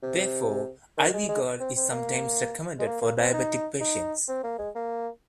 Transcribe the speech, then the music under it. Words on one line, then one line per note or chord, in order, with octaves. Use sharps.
Therefore, ivy gourd is sometimes recommended for diabetic patients.
C3
D#3
G#3
G#3
C4
C4
A#3
G#3
A#3
A#3
C4
D#4
D#4
C4
A#3
G#3
A#3